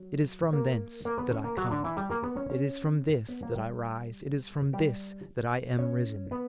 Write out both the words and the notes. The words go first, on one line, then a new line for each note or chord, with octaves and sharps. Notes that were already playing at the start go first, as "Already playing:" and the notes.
It is from thence that I come; it is from this that I rise; it is from this that I am risen.
Already playing: F#3 F#4
A#3 A#4
A#3 A#4
B3 B4
C#4 C#5
A#3 A#4
F#3 F#4
D3 D4
E3 E4
G3 G4
A#3 A#4
B3 B4
C#4 C#5
C#4 C#5
B3 B4
A#3 A#4
G3 G4
G3 G4
C#4 C#5
B3 B4